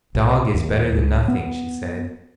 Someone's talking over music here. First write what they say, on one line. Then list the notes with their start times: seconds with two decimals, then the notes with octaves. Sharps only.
"A dog is better than nothing," she said.
0.15 B1
0.54 D#2
0.97 C#2
1.28 B3